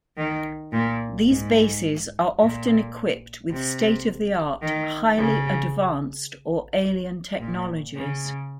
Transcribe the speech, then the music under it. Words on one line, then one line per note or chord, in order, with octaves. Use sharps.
These bases are often equipped with state-of-the-art, highly advanced, or alien technologies.
D#3
A#2
G#2
A#2
C3
D#3
C#3
A#2
C#3